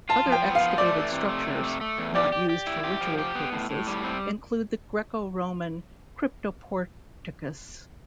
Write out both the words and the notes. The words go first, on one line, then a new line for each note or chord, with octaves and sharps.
Other excavated structures, not used for ritual purposes, include the Greco-Roman cryptoporticus.
F4 A5
F3
G5
B3
F5
F3
A3 D5
E3
C3
A3
C3
A3
A3
E2
G4 D5
G4
G4
E4
G4
F3
G4
B3
A2
A2
G3
C4